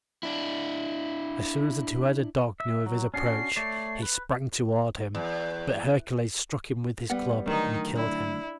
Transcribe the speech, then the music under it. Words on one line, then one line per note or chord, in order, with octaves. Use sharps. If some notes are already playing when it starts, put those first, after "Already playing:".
As soon as the two-headed dog knew of his approach he sprang toward him; but Hercules struck him with his club and killed him.
D4 E4
E5
F#3
C#4 D4 F#4 C7
A3 C#5 D5
B4
E2
G3 B3 F#5
D3 D#3 F#3 A3 D#4
D4 E4